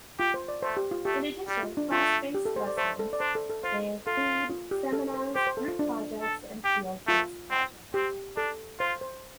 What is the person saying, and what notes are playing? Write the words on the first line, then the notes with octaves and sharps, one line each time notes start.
In addition class-based lessons, they include seminars, group projects and field-based projects.
F4 G4
C5
D5
A3 C5
G4
F4
A3 G4
G3 G4
F4
D4
A3 F4
G4
A4
C5
D5
A3 C5
A4
D5
D4 C5
A4
A4
F4 C5
F4 A4
F4
G4
A4
C5
G4 C5
C5
A4
F4
D4
A4
G4
A3 F4
C4
C4 G4
D4 A4
F4 C5
C5